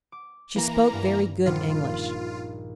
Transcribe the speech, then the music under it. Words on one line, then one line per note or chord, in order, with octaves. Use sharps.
She spoke very good English.
D6
E3 A#3 A#5
G2
A#1 D#3 G3 F4